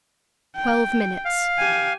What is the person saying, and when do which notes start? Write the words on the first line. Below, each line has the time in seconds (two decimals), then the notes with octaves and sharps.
Twelve minutes.
0.56 G5
1.25 F5
1.58 G4 G#5